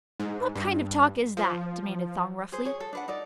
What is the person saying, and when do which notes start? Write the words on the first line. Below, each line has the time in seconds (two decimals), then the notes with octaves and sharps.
"What kind of talk is that?" demanded Thong roughly.
0.20 G#2
0.56 G2
1.37 F3
2.52 G#4 C5
2.65 G#4 C#5
2.80 A4
2.93 D4 B4 F#5
3.08 D#4 A4 D5